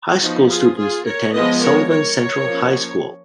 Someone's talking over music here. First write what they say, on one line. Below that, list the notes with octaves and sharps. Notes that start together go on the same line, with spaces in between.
High school students attend Sullivan Central High School.
F3 B3 D#4 F#4
F4 G#4
F4 G#4
A#4 C#5
F3 G#3 B3 B4 D#5
A#4 C#5
A#4 C#5
F3 A#3 C#4